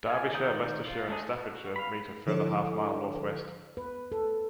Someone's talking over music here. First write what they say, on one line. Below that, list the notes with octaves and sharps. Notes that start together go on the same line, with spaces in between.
Derbyshire, Leicestershire, and Staffordshire meet a further half-mile northwest.
F4 G#5
D#3 D5 A#5 D#6 G6
F4
A3 D4 D#4 G#4
F#4
F5 B5
D3 F3 D4 E4 A4 C#5
B4
A4